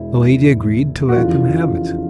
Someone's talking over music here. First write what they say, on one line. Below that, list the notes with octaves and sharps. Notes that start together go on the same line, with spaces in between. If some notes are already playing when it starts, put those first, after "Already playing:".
The lady agreed to let them have it.
Already playing: E1 E2 B2 G#3 E4
F#4
F1 E2 C#3 E3 F4